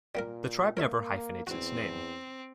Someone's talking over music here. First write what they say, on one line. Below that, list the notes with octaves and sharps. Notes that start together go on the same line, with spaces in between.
The tribe never hyphenates its name.
A#2 G3 A#3 A#4
A#3 A#4 C#5 E5
E2 C4 F#4